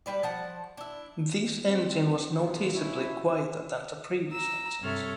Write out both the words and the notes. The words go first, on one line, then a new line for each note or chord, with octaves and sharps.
This engine was noticeably quieter than the previous engines.
G3 B4 D5
F3 F#5 A5
D4 E4
C4
A#1 B2 D#3 F3 F4
B2 C#4 E4
A#5 E6
G2 C3 A4 C#5 E5 F6